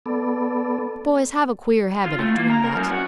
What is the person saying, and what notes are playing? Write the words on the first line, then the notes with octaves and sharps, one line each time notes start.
Boys have a queer habit of doing that.
B3 A4 D5
F4
A3
A#3
A#5
A#4
F#2
F#4